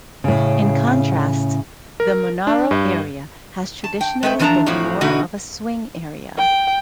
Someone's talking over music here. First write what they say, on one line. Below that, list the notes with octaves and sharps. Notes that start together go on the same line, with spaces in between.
In contrast, the Monaro area has traditionally been more of a swing area.
A2 C#3
A#4
D4
G2
A5
G5
G#3 A3 B4 G5
E3 F3 D4 D#5 A5 A#5
F2 A2 F3 F#3
E2 B2 D3 E3 D#4 F#4
G5